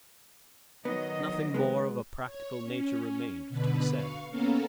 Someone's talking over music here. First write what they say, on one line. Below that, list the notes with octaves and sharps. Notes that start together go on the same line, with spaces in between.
Nothing more of a practical nature remained to be said.
D#3 F#3 B3 D#5
G#3 B3
C#5
C#4
B2 D3 B4
F5 C#6
A#3 B3 C#4 A4 A#4 F5